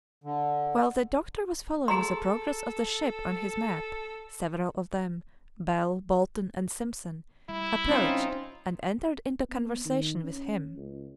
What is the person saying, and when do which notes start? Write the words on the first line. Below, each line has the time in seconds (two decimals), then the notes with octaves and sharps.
While the doctor was following the progress of the ship on his map, several of them, Bell, Bolton, and Simpson, approached and entered into conversation with him.
0.24 D3
1.88 G#4 A4 A#5 C6
7.49 G3 E4
7.90 C4 C#4 D#4 F4
9.50 B3
9.85 D#3
10.23 C#4
10.77 C#2